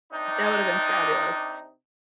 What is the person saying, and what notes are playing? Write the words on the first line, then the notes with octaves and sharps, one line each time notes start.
That would have been fabulous.
C3 D4 D#4